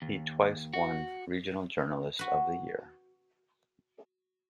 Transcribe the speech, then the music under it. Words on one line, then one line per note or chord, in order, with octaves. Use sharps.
He twice won regional journalist of the year.
D#2
F#4
F#4 B4